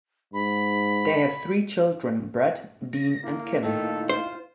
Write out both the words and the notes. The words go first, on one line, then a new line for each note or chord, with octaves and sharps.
They have three children, Brett, Dean and Kim.
G#2 B5
A#6
A#3 E4 F5
A#2 D#3 A3 A4
F4 C5